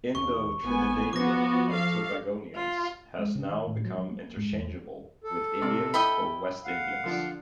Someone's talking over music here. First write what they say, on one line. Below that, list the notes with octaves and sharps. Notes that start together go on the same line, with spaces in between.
Indo-Trinidadian and Tobagonians has now become interchangeable with Indians or West Indians.
D#2 C#6
G#1 B3 G#5
F3 B3 F#4 D6 A#6
A4 F5
F4
G#3
C#3
D#3
A2
F#3
F#3
A#3
G#2
E2
A4
C3 D5 F6
E4 D#5 G5 B5
F5 F#5
D3 F3 D4